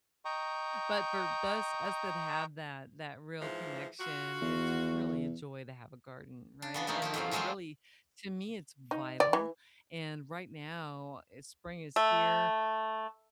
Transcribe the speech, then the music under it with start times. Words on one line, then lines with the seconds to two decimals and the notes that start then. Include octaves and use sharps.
but for those us that have that that real connection, it's really a joy to have a garden, right? And it really to me, it's vital, and right now, spring is here,
0.25 D#5 G5 A#5 C#6
3.40 G#2 E3 F3
4.00 F4 F#4
4.42 E2
6.62 D4
6.74 C#3 B3 D4
6.87 F3 A3 A#3 D#4
7.02 F3 D#4 G4
7.14 F2 E3 F#3 F4 F5
7.31 F3 F#3 G#3 C4 F4 G#5
8.91 D#4
9.20 D5
9.33 E3
11.96 A3